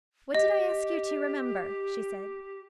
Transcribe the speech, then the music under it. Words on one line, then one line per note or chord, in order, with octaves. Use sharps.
"What did I ask you to remember?" she said.
G4 D#5